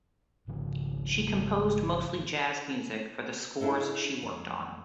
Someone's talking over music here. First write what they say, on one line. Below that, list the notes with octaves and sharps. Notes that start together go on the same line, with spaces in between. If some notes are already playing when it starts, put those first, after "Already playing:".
She composed mostly jazz music for the scores she worked on.
G#1 C#3 F3
D4 E4 G#4 A4 D#5
F2